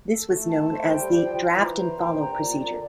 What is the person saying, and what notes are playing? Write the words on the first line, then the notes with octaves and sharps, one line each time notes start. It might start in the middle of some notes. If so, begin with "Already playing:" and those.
This was known as the "draft-and-follow" procedure.
A4
A3 A4
A5
A3 C5
A3 G5
G3
C5
F3
C5
E3 A#5
C5
A#2 G5
D3
A#5
C3
A#2 D5
A#2 D5
D3